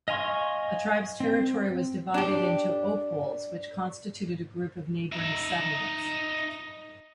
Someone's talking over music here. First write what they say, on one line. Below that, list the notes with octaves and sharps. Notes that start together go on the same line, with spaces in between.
A tribe's territory was divided into "opoles", which constituted a group of neighboring settlements.
D#5 F5 G#5 C6 C#6
C4
D4 G4
D#4 E5